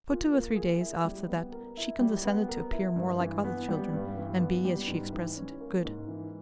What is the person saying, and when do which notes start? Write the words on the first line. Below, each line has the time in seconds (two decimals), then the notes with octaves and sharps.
For two or three days after that she condescended to appear more like other children, and be, as she expressed it, "good."
0.09 A#2
0.33 A#3
0.56 G#4
0.81 E4
1.04 G3
1.29 B3
1.52 A#4
1.77 E4
2.01 G3
2.25 B3
2.49 A#4
2.72 E4
2.96 G2
3.21 E3
3.44 B3
3.68 G3
3.93 G2
4.17 E3
4.40 B3
4.65 G3
4.88 G#2
5.12 E3
5.36 C#4
5.61 A#3
5.85 G#2
6.08 E3